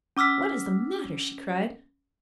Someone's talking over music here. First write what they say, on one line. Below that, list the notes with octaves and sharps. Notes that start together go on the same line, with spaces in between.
"What is the matter?" she cried.
C#4 D6 E6 F6 B6